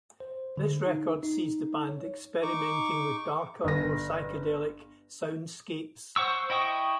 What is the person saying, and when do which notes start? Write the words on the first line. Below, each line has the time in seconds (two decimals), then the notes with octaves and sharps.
This record sees the band experimenting with darker more psychedelic soundscapes.
0.20 C5
0.57 D3
0.86 D#4
1.23 D#4
1.89 C#5
2.42 D#4 C#6 D6
3.64 G1 A#6
6.16 C5 F#5 C#6 E6
6.50 E4 D#5 G5 C#6 D#6